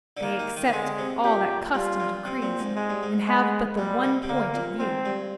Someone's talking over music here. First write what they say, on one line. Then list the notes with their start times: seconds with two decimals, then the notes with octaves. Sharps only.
They accept all that custom decrees and have but the one point of view.
0.17 D3
0.22 D#3 A#3
0.39 D#3
0.57 D#3
0.68 D#3
0.72 D3 G#3
0.98 C3
1.24 A#2 G4
1.74 G2 F4
2.00 G2
2.25 C3 C4
2.42 A#2
2.59 G#2
2.76 G#2 G#3
2.90 G2
3.03 G#2
3.27 G#3
3.78 A#2 G3
4.04 C3
4.23 C3
4.29 D3 A#3
4.54 A#2
4.79 G#2 C4
5.05 G2